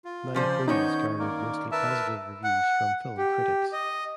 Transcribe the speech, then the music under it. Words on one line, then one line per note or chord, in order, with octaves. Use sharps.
"Nine Queens" garnered mostly positive reviews from film critics.
F4
C#3 F3 C5 D5
D#3 B3 C#4 D#4 C#5 G6
A#3 A#4 D5
A#4 B4 E5 A5
F#5
G4
D#5